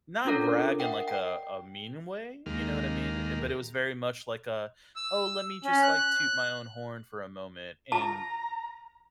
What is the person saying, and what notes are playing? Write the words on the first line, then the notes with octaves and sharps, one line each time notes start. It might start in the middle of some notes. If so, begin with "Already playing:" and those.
not brag in, like, a a mean way, you know what I mean? Uh, but it was very much, like, a, "Oh, let me just, like, toot my own horn for a moment." and
C#4 D4 F4 A4 A#4 C#5
A#4 E5 F#5 G5
G5
D#2 D#3 G#3 A#3 F6
E6
C#4
F#6
A5 A#5